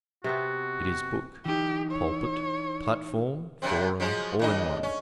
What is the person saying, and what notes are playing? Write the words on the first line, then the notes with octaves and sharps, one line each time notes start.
It is book, pulpit, platform, forum, all in one.
C3 B3 C4 F#4
E3 D#4 G4
C#5
F#2 C3 C4
F3 F#3 G#3
D#2 D4 D#5
C#4